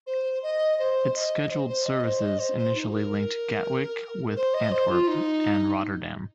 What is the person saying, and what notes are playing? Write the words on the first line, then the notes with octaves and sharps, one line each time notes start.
Its scheduled services initially linked Gatwick with Antwerp and Rotterdam.
C5
D#5
C5
D#5
C5
C5
D#5
C5
D#5
C5
C5
D#4
A#4
C5
D#5
C5
F4
D#4